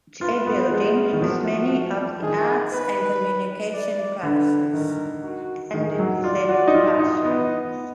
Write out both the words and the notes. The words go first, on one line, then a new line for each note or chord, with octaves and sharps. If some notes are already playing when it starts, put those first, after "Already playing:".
J-Building has many of the arts and communication classes, and disabled classrooms.
F4 B4
B3
G#3 A#4
D#3
F3 F#4
D#3 G#4
B4
D5
D3 B4
D#3 A#4
F#4
D#3 G#4
F#3
F4 D5
F#4
D#4
F4
D#4
B3 D#5